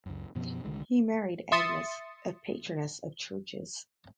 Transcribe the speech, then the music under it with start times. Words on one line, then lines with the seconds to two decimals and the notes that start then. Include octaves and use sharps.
He married Agnes, a patroness of churches.
0.06 C#2 F#2
0.35 F#2 B2 F3 B3
0.64 C2 D3 D#3 G#3
1.52 E5 C6 D#6 A6 C#7